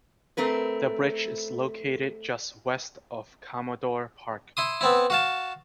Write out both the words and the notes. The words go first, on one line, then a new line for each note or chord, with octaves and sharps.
The bridge is located just west of Commodore Park.
A3 C4 A#4 B4
E4 C6 D#6
B3 C4 E4
F#4 F5 A5